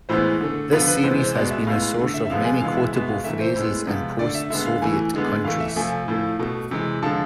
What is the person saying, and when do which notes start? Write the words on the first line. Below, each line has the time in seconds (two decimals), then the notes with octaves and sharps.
The series has been a source of many quotable phrases in post-Soviet countries.
0.09 A2 E3 G#3 B3 C5
0.41 D3 A3
0.72 D3 F3 B3 B4
0.88 B4
1.03 C3 E3 G#3 B3 C5
1.20 C5
1.35 B2 G#3 B3 D5
1.51 E5
1.67 A2 G#3 B3 F5
1.82 F5
1.98 D3 A3
2.14 E5
2.25 E5
2.30 C3 F3 G#3 B3 F5
2.45 G#5
2.61 C3 E3 G#3 B3 F5
2.77 E5
2.93 B2 G#3 B3 E5
3.08 F5
3.24 C3 E3 A3 E5
3.40 C5
3.56 A2 G#3 B3
3.87 C3 F3 G#3 B3
4.19 D3 A3 D5
4.35 E5
4.50 D3 G#3 B3 E5
4.66 F5
4.82 A2 E3 A3 G#5
5.14 D3 G#3 B3
5.44 A2 E3 A3 F5
5.60 E5
5.76 C3 F3 A3 G#5
6.08 A2 F3 A3
6.39 B2 A3
6.71 C3 E3 G#3
7.02 D3 F3 G#3 A5